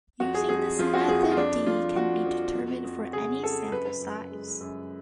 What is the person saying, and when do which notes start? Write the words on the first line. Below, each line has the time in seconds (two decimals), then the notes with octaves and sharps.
Using this method "D" can be determined for any sample size.
0.20 F2 F#4
0.34 G#4
0.49 F2 G#4
0.79 F3 F4
0.94 F#4
1.08 F2 G#4
1.23 F#4
1.32 F4
1.37 F2 D4
1.66 F2 F4
1.96 F3 F#4
2.26 F2
2.55 F2
2.84 F2
3.13 C#3 G#4
3.43 C#3 A4
3.72 F#2 B4
4.01 F#2
4.31 G#3
4.61 F#2